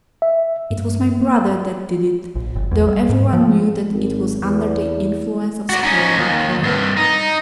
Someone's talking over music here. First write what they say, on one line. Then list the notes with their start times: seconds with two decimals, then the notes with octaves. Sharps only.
It was my brother that did it, though everyone knew that it was under the influence of Sparrow MacCoy.
0.22 E5
0.71 G2
1.20 A#3
2.35 A#1
2.55 G1
2.71 E2
2.87 G3
3.09 G#2
3.33 F3
3.91 G#1
4.40 E2
5.69 F#4 D5
5.83 C#4 D#4
6.17 D#2
6.64 C2 G2
6.97 D#4